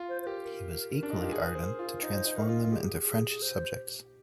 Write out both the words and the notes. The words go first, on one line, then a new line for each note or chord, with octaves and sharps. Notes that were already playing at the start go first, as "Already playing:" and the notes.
He was equally ardent to transform them into French subjects.
Already playing: F4
C5
C5
G4 A#4
A#4
D4
D#4
F4
G4
G#4
C5
F4
D#4 C5
D#4
A#4
F4
G4 G#4
C5